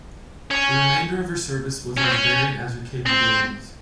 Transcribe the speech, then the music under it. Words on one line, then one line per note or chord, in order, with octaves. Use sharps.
The remainder of her service was as varied as her capabilities.
C#4
C#4
C4
C#4
C4